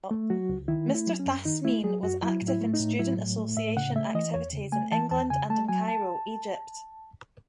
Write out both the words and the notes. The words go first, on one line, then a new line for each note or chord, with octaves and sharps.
Mr. Thasmeen was active in student association activities in England and in Cairo, Egypt.
A3
F#3 F#4
C#2
D#3 E4
A3
E4
F#3
C#4
F#2
D#3 D#4
A3 E4
F#3 G#4
F#2 F#4
F#3 E4
A2
E4
A3
D#4
A2
F#3 E4
A2
A3
A2 E5
C#3 F#5
A3 E5
E3 D#5
E2 C#5
C#3
A3 G#5
E3 A5
E2 A5
C#3 G#5
A3 A5
F#3 G#5
A5